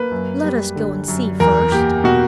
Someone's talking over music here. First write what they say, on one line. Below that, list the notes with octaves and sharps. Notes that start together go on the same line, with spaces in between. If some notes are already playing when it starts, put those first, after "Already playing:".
"Let us go and see first."
Already playing: A#3 B4
F#2
G3
D3
F#2
E2 A#4
A#3 G4
B2 F#4